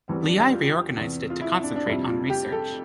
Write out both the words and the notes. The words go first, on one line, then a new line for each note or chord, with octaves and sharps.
Liais reorganized it to concentrate on research.
E2 E3 G3 C4
D4
G4
F4
E2 C3 E3
F4
E4
D4
D4
F2 C3 G3 E4
F4
G4
A4